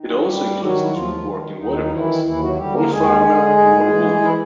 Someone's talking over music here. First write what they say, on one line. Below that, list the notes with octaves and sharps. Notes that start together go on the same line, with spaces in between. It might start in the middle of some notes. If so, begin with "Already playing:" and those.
It also includes two working water mills: one flour mill and one wool mill.
Already playing: D#3
F#3 F#4
G2 G3 G4
D#3 F#3 F#4
E4
D#2 F3 F4
D#3
D#2 D#3 D#4
D#3 E3 E4
D#2 E3 E4
F#3 F#4
D3 G3 G4
A#3 A#4
D#2 G#3 G#4
D3
G#2
E3
E3 E4